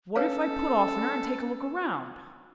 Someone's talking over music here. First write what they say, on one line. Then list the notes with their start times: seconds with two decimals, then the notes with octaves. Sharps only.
'What if I put off in her and take a look round?
0.15 C#4 A4 B4 C#5 F5